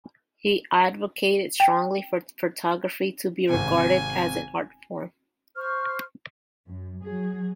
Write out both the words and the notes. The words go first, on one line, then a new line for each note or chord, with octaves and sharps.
He advocated strongly for photography to be regarded as an art form.
G5
G#1 C3 G#5
C5 C#6 F6
F#2
F#3 G#4